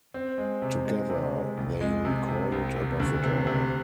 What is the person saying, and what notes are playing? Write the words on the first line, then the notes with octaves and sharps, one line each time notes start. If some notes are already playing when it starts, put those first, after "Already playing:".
Together they recorded "Above It All".
C4
G#3
C3
G#3
C3
G#3
C2
G#3
C3
C3
C2
C3
D2
C3
C3